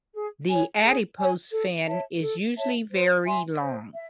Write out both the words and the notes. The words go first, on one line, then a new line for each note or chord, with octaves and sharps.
The adipose fin is usually very long.
G#4
C#5 G#5
G#4
C#5 G#5
A4
C#5 E5 A5
A4
C#5 E5 A5
C5
E5 G#5 C6
C5
E5